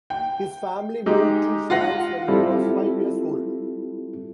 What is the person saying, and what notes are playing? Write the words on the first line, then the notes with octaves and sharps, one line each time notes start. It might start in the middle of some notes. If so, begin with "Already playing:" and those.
His family moved to France when he was five years old.
G5
G#3 D#4 G4
F4 F5 F#5 A#6
G3 C4 E4 F4 G4 A4